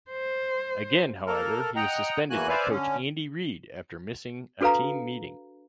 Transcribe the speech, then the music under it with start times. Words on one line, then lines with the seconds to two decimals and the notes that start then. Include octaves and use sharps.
Again however, he was suspended by Coach Andy Reid after missing a team meeting.
0.11 C5
1.27 A#3 A4 A#4
1.76 D#5 F#5 G5 A#5
2.30 E2 E3 A#3 F#4 G#5 F#6
2.49 B4 C5 D5 E5 F5 G#5
2.70 D3 C#4
4.61 D4 F#4 A4 B4 F5 A#5